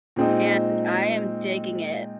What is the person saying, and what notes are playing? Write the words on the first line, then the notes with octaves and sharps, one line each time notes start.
and I am digging it;
A#2 G#3 C4 D#4